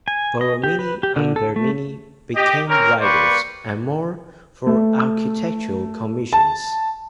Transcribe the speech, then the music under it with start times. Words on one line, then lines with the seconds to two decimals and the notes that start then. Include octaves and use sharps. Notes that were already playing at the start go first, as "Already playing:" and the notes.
Borromini and Bernini became rivals, and more, for architectural commissions.
0.08 G#5
0.41 D#5
0.64 G4
0.79 B4
1.03 G4
1.16 D3
1.36 A4
1.56 A3
2.35 G4 D#5
2.68 A#3 C4 C#4 A#4
3.01 G3 A#3 B4 C5 D5 C#6
4.67 A3
6.33 A5